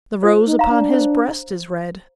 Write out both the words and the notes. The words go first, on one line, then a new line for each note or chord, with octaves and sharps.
The rose upon his breast is red.
F4 C5
D#4
F5 A#5
D4
C5